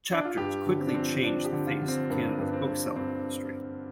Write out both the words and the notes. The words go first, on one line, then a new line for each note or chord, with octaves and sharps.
Chapters quickly changed the face of Canada's book selling industry.
D4
F4
G2 G4
D3
C4
D4
F3 C4
F3 D4
G4
D3
F4
D3
C4
G2 A#3
G2 A#3
C4
G2
G2 C4